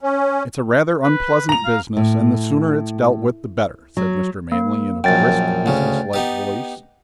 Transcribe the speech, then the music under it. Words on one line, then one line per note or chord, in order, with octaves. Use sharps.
"It's a rather unpleasant business, and the sooner it's dealt with the better," said Mr. Manley in a brisk, businesslike voice.
C#4
B4
A#5 F7
F5
A2
F#3
A#3
A#1 F#2 G5 A6
D2 C#3
B3 D#4 G4